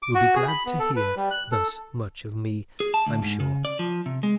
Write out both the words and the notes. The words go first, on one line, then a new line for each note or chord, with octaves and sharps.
You will be glad to hear thus much of me, I am sure.
D6
F#4
G#4
B5
B3
A4
B4
G3
F#6
A4
G#4
A5
D2
G#2
C#3
D5
F3
C3
G#3